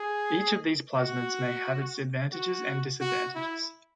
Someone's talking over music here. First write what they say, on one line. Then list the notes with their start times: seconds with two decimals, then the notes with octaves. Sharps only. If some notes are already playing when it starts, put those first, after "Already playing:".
Each of these plasmids may have its advantages and disadvantages.
Already playing: G#4
0.96 F#4
2.33 F#4
3.01 F#4
3.35 E4